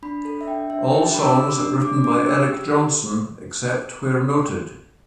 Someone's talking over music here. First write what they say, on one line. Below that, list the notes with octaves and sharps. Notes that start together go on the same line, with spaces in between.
All songs written by Eric Johnson, except where noted.
D4 B5
A4
E5
D4 G5
D4 E5
G4 G5
A5
D4 B5
E6
D6
G4 E6
D4
D4 D6
D4 D6
G4 E6
G4